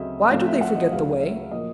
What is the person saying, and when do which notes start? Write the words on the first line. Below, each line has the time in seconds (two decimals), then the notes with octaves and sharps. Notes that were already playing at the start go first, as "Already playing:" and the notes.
"Why do they forget the way?"
Already playing: D2 C#3 F#3 A3 C4 D#5 E5
0.30 A2 F3 A3 C4 F5
0.46 E5
0.61 F#5
0.76 D#5
0.91 D2 C#3 F#3 F5
1.21 E5
1.51 A#2 F3 A#3 D#5